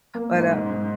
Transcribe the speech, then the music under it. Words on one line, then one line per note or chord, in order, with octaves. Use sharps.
but uh
A#3
G#2
G#2
G#2